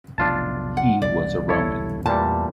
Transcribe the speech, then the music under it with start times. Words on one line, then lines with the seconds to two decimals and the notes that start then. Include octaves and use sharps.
He was a Roman.
0.18 F1 B1 A2 D4 F4 A5
0.77 F#5
1.02 E1 C2 D3 D5
1.49 E4 A4 C#5
2.06 E2 A#2 E3 G3 A3 A5